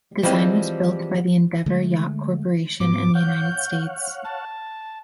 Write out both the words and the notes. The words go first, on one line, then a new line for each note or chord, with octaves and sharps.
The design was built by the Endeavour Yacht Corporation in the United States.
E3 F3 G3 G#3 C4
D3 G#3 A3
G#2 F#3 B3 D6
C#5 F5 F#5 G6
A5